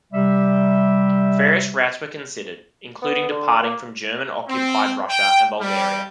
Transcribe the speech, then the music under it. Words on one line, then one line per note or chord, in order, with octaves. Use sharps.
Various routes were considered, including departing from German-occupied Russia and Bulgaria.
C3 G3 E5
B3
D3
A#3
C4
G5
G3